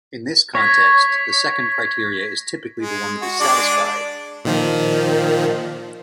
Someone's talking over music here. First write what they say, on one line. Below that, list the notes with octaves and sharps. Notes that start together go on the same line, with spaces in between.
In this context, the second criteria is typically the one that is satisfied.
C#5 G#6 A#6 B6
G#3
F#4
G#3 D4 D5
A#2 D#3 F3